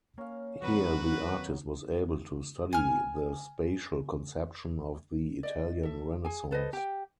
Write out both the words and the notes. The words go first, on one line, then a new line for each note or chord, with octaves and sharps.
Here the artist was able to study the spatial conception of the Italian Renaissance.
A#3 C#4 F5
D#3 F#3 B3 C4 F#4 A#4 B4
G#5 F6
D5 D#5
A4 E5
G#4 G#5
A4 B4 C5 D#5
G4 G5